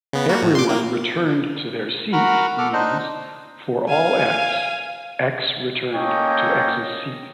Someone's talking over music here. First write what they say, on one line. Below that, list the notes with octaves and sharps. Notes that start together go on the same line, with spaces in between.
Everyone returned to their seats means For all X, X returned to X's seat.
C#3 B3
A#3 F#4
A2
C6 D6
A#3
F#4 A#4 F#5 B5 F6
A4 F#5 D6 F6
D4 D#4 C5 D#5
F5 G#5
A#3 C#4 A4 C#5 D#5 G5